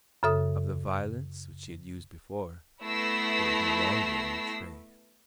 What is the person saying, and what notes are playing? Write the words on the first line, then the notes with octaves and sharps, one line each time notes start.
Of the violence which she had used before there was no longer any trace.
F#2 C#3 A4 E5 D#6
A3 B3 E4 E6 A#6 C7